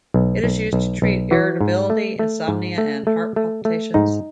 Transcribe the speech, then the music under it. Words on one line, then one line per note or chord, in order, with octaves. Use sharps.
It is used to treat irritability, insomnia and heart palpitations.
B1
B1
B1
B1
E3 F#4
G#2
A3
A3
G#2
A3
A3
A3
A3
G#2 D#4